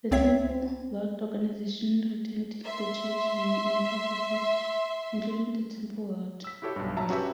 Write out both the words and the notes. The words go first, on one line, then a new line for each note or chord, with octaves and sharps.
The Temple Lot organization retained the church name and properties, including the Temple Lot.
C#2 C4 C#5 E5 B6
E5 C6
E6 B6
E4 F#4 G4 A4 C#5 E5
B1 G2
A#1 F#3 E5 A5 A#5
C#4 F#4 G4 B4 E5